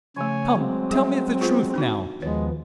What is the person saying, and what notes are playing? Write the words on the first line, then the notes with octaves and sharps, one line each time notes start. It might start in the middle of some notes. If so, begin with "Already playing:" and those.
"Come--tell me the truth now."
C#3 F3 A3 C#5 G#5
F#3 G#3 C4
G3 G#4 E5
F4 G#4 C5
D4 D#4 F#4
D#2 F3 G#3 B3 C#5